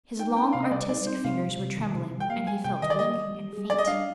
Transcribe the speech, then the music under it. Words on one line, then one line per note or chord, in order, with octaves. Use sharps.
His long, artistic fingers were trembling, and he felt weak and faint.
D#4 G5
C4 G5
C3 F5
D#5
G3 D5
D#4 D5
C4 C5
C3 F5
G3
C3
D#3
C3
G3
G5
A#3 F5
G3 G#5
C3 G5
D#3 D#5
D5
A#3 D#5
G3
G3
G#4
G3 D5
D#5
D4 F5